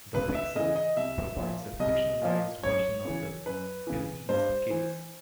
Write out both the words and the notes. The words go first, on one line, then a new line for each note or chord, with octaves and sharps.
"The Fixer" provides a fictionalized version of the Beilis case.
C#2 B4
E5
C#3 E3 D#5
D#5
C2 E5
A#2 F3
C2 D#5
A#2 F3
F#2 C#5
C#3 E3
F#2 B4
C#3 E3
G2 C5
E3